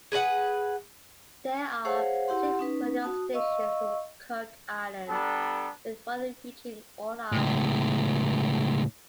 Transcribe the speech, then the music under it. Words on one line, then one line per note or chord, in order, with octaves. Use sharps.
There are six radio stations in the Cook Islands, with one reaching all islands.
G#4 B4 D5 F#5
G#4 C5 C#5 F5 F#5
E4 G4 F#5 C6
C#4 D#4 B4
F#4 A5 D#6
D#5 F5 C#6 E6
G3 B3 D4 A4 A#5
C#2 A2